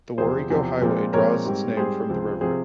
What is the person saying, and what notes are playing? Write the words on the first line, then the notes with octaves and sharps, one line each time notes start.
The Warrego Highway draws its name from the river.
E2 C3 F3 G#4 C5
E2 C3 F3
A#2 F3 G#3 C4
A#2 F3 G#3 C4 A#4 C#5
G#2 G3 C4
G#2 G3 C4 G#4 C5
C#2 C3 F3 C4
C3 F3 C4 G#4 C5